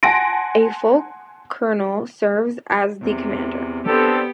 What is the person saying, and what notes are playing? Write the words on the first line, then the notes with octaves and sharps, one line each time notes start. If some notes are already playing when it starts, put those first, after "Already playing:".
A full colonel serves as the commander.
F#5 G#5 A5 C6 A#6 D7
E2 C3
B3 C4 D4 G4 A4